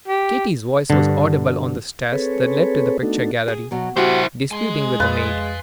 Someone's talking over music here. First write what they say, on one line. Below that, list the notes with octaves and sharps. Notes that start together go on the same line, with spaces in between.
Kitty's voice was audible on the stairs that led to the picture-gallery, disputing with the maid.
G4
G2 D3
C4 G#4 A4 B4 C#5
A3 B3 D4 D#4 F#4 A4
G#4
B2 F#3
E4 F#4 G4 C5
G#3 G#5 C6
F2 B4 F5 A6